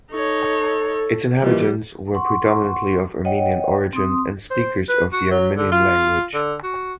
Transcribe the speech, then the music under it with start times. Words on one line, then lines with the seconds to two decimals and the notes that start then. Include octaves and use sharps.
Its inhabitants were predominantly of Armenian origin and speakers of the Armenian language.
0.12 D#4 A4 C#5
1.42 A#2 D#3 E3 G3
2.14 F#5 C6 C#6
3.25 C#5 D#5 F#5 G5
3.93 C4 C6 D#6
4.51 C5
4.89 B4
5.12 F#4
5.31 F#3
5.57 D3
5.72 F4
6.34 D3
6.63 F#4